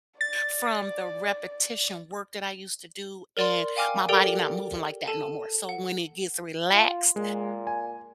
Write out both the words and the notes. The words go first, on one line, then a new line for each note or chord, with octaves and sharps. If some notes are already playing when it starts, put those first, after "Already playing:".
from the repetition work that I used to do and my body not moving, like, that no more so when it gets relaxed,
D5 A6
A#4 D5 C6
F5 G5 G#5 D6 F6
G4 A4 A#4 D5 G5 D7
A4 A5 D#7
F#5
F4
A#2 G#3
G#5